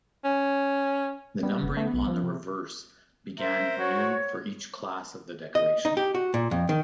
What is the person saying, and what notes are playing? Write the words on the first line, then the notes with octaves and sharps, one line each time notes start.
The numbering on the reverse began anew for each class of the decoration.
C#4
G3 B3
F1
A3
B1
F3
C3
A#4 C5 E5
F#4 C#5
D#5
D#4
G4
F#4
A#2
F2
D#3